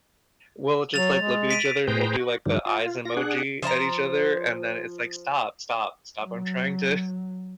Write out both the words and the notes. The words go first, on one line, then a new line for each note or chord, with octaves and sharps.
We'll just, like look at each other, and we'll do like, the eyes emoji at each other, and then it's like, "Stop, stop, stop. I'm trying to"
F#3 A6 F7
G#3
B6 D7 D#7
A2 G#4 B4 C5 G5 A#5
F#4
G2 D3 D#3 F3 G3
F4
F4 A#6
D4 G#4 F#5
F3 C5 D#5 A#5
F#3